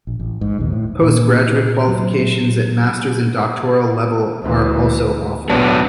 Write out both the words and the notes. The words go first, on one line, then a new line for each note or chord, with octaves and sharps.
Post-graduate qualifications at masters and doctoral level are also offered.
A#1
A1
G#2
A#1 D#2 B2
A2
A#2
F#3
D2 E3
A1 B2 F#3 B3 D4